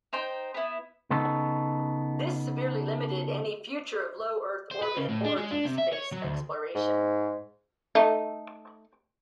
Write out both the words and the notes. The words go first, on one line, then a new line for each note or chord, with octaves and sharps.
This severely limited any future of low earth orbit or deep space exploration.
D#4 C5 G5
B3 E4
C#3 B3 D#4 A4
C5
B4
C#3
A2
D4
G#3
D4
C3
E5
C#5
F#3
D2
G#2
A3 D#4